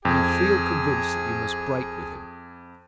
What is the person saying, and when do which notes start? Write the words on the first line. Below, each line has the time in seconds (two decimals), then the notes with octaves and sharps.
"And you feel convinced that you must break with him?"
0.05 F2 G#4